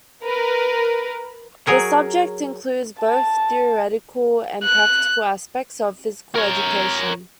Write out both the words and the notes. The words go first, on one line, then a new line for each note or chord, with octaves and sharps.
This subject includes both theoretical and practical aspects of Physical Education.
A#4 B4
F#3 G#4 A#4 C#5
A5
F#6
A#4 C#5